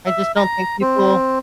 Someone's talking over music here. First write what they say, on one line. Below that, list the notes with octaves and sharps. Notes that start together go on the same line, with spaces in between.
I just don't think people
E5
A#5
C4